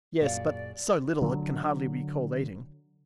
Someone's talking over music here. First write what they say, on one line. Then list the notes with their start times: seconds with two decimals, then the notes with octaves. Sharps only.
"Yes; but so little, it can hardly be called eating."
0.21 F#2 A#2 F#4 G#4 D5 F5
1.22 D3 F#3